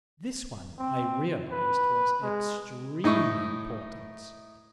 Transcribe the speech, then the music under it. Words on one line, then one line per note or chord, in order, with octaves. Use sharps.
This one, I realised, was extremely important.
C4
B4
G#3
A2 D#4 E4 C#6